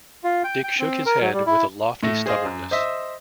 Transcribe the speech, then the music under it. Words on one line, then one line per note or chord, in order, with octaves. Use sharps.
Dick shook his head with a lofty stubbornness.
F4
G5
G5
C4
A#4
F#3
G3
E4
A2 A3 A#6
G#4 C5 D#5 F5
F#2
C5 D#5 E5